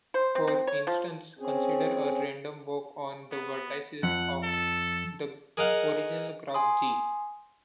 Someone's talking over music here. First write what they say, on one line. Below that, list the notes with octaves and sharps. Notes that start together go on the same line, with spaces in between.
For instance consider a random walk on the vertices of the original graph "G".
C5
C4
C4
C#5
F3
C4 C#4 G#4
B3
F2 F#5
A4
G#4 A#4 D#5 F5 F#5
G#5 C6 D#6